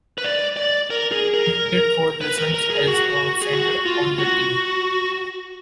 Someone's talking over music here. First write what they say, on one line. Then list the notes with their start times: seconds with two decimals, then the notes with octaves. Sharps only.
He played for the Suns as a center on the team.
0.18 B4
0.24 D5
0.57 D5
0.90 A#4
1.12 G#4
1.34 A#4
2.21 B4
2.38 A#4
2.54 A#4
2.70 G#4
2.87 F#4
3.42 G#4
3.53 F#4
3.85 F4
4.19 F#4